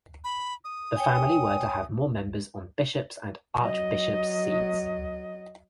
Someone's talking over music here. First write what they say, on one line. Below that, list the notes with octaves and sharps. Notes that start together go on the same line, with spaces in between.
The family were to have more members on bishops' and archbishops' seats.
B5
D#6
C#5 G5 G#5
F#3 D#5